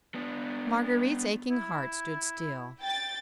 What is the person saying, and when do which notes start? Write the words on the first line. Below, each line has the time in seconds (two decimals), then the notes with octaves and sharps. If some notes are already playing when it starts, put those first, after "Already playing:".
Marguerite's aching heart stood still.
0.15 B3 D4
1.50 E4
2.80 G5 A6